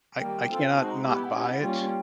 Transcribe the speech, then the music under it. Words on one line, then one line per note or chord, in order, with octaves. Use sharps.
I I cannot not buy it,
D#3 G3 A#3 G5
C4 F4 A4
G#3 C4 D#4 F#4 A5
A#5
B3 E4 G4 D6
B5
F#5
C#4 E4 G4
G3 A#3 C#4 F4 G5